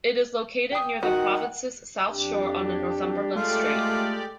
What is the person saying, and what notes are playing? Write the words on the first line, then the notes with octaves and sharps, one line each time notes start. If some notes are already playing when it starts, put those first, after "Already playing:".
It is located near the province's south shore on the Northumberland Strait.
G5 D#6
D#3 F#4 F#5
F2 D4 G4
G#3 A3 F4 G4 A4 D5